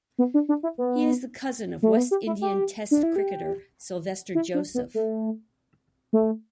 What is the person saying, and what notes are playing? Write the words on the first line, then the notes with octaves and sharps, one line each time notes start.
He is the cousin of West Indian Test cricketer Sylvester Joseph.
B3
D4
D4
E4
B3
A3
B3
G4
E4
G4
D4
E4
G4
E4
D4
B3
A3
A3